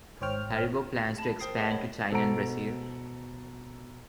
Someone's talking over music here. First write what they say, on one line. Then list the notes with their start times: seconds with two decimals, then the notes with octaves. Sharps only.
Haribo plans to expand to China and Brazil.
0.21 G#1 G#2 C5 C#5 G5 F6
1.18 A5 B5
1.40 A#4 C5 G5 D#6 C7
1.57 G#4 A#4 D#5 F#5 G5 A5
1.71 C#5 B5
2.12 B2 A4 C5 F#5 A#5 D7